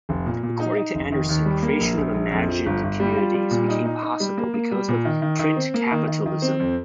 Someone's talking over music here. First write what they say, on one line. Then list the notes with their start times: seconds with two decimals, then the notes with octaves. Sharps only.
According to Anderson, creation of imagined communities became possible because of "print capitalism".
0.09 F1
0.26 A#2
0.43 A#2
0.60 D#4
0.77 D#4
0.95 F1
1.12 D#3
1.29 D#2
1.45 G3
1.62 A#3
1.81 A#1
1.97 A#1
2.14 A#1
2.31 F2
2.48 F3
2.66 G1
2.83 G1
3.00 G3
3.17 F4
3.34 G3
3.51 A#2
3.68 D#4
3.85 D#4
4.02 D#4
4.20 G3
4.37 A#3
4.54 A#3
4.72 G3
4.88 A#2
5.05 D#3
5.22 D#3
5.39 D#3
5.57 C4
5.74 A#3
5.91 D#3
6.08 D#3
6.26 D#3
6.42 C4
6.60 F2